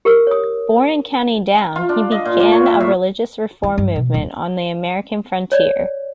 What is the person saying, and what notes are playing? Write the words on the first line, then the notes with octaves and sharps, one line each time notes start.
Born in County Down, he began a religious reform movement on the American frontier.
G4 A#4 E6
C#5 D#6
F4
D4
D#5
A#2
A#3
C#5
E5
A2
E3
G2
B2
D#1
C#5 D5